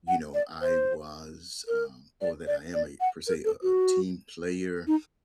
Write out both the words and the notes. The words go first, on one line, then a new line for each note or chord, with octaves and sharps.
you know, I was, um or that I am a, per se, a a team player,
F#5
D5
C5
A#4
D5
D5
D5
F#5
A#4
A4
F#4
D#4